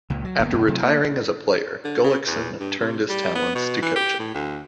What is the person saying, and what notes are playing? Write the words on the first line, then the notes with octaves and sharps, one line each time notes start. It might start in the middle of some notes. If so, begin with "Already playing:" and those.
After retiring as a player, Gullikson turned his talents to coaching.
C#2 A#2
F#3
G1 A#3 B3
F#2 B2
C3 F#3 A3
A#3
D3
C#3
E2
G2
C3
G3
B3
B2
E3
G4
A2
D2